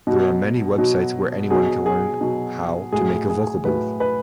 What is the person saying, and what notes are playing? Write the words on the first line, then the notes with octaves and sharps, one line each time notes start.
There are many websites where anyone can learn how to make a vocal booth.
B2 F#3
B2 F#3
B2 F#3 G#4
G#4
B2 F#3
A2 F#3 G#4
G#4
A2 F#3 B4
B4